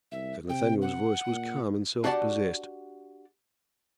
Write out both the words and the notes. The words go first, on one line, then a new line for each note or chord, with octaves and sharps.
Sir Nathaniel's voice was calm and self-possessed.
C2 E5
C3 G5
F#5
A#2
D4 F#4 G4 D5 F#5 A5